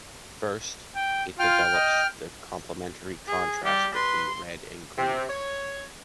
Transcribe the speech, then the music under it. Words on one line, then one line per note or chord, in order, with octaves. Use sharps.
First, it develops the complementary contrast between red and green.
G5
F4 G5 F6
D#5
G#4
G3 G4
B4 C6
C3
C#5